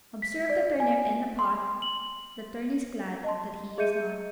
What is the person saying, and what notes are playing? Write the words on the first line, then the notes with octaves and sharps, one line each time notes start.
Observe the Turnip in the pot. The Tern is glad that he is not!
B6
D5
G#5
C6
F#7
D#5 A5 C6
G#4 D#5 E5 G6 C#7 D#7